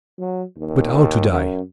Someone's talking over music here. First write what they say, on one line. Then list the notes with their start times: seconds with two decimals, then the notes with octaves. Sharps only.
But how to die?
0.19 F#3
0.57 D#2
1.31 F#2